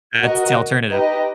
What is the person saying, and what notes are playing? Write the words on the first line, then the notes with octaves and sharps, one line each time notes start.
That's alternative.
F#4 A#4 D#5
D#4 G4 B4 D#5